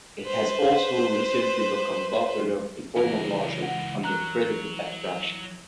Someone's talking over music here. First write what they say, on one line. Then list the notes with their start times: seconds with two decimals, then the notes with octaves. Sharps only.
It has also recently become popular in formal logic under predicate abstraction.
0.23 B4 C5
2.96 C#2 E3 A#4
3.62 F#5
4.04 F#3 A#5 F#6